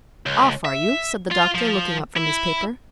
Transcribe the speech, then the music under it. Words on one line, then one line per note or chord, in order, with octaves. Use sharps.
"Off, are you?" said the doctor, looking up from his paper.
C#2
E5
F4
F3
E4